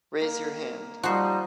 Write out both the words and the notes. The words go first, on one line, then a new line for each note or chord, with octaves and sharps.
Raise your hand.
A#3
F3 G3 D#4 F#4 C5